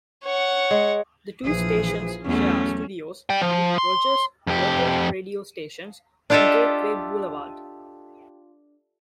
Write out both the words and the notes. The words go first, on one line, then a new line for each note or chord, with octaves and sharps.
The two stations share studios with Rogers' local radio stations on Gateway Boulevard.
C#5 F#5
G#3
A#1 E3 F3 G#4
E2 F#3 A3 C#4
D5 G5
F3
C6
F2 G4
D4 F4 G4 A4 D#5 E5